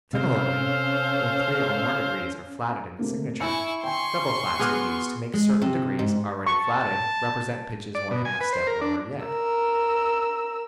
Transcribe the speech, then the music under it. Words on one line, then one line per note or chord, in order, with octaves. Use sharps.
Similarly, when three or more degrees are flatted in the signature, double-flats are used to make certain degrees already flatted, represent pitches one half-step lower yet.
C3 C#4 A4 C5 F5
C3 A3 A#3
E4 G#5 C#6 E6 C#7
G5 G#5 C6 C#6
B3 F#4 G#4 D6 F6 F#6
G#3
C3
G#2
A5 C#6
D5
B2
G#5
B4
C5
A#4
D4
A#4 E6